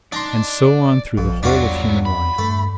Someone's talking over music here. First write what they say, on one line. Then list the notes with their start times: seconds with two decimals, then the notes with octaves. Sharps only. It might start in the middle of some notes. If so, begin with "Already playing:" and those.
And so on through the whole of human life.
0.12 D#4 D5 A5 A#5 C6
1.17 A#1 F2
1.43 E2 G2 F#3 D4 F4 F#4
2.05 B5
2.38 G2 A3